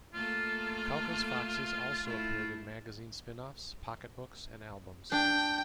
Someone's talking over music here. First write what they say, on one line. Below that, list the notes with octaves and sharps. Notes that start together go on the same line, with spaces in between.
Kauka's foxes also appeared in magazine spin-offs, pocket books and albums.
A3 A#3 F4 A4
A3 E4 F4
D4 G5